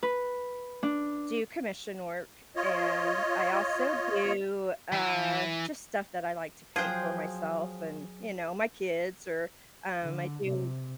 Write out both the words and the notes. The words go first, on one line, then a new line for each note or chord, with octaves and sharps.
do commission work, and I also do, uh, just stuff that I like to paint for myself and, you know, my kids, or, um, I do
B4
D4
F4 C#5 D#5
E3 E5
F3 F#3 G#4 C5 G5 F#6
D3
C3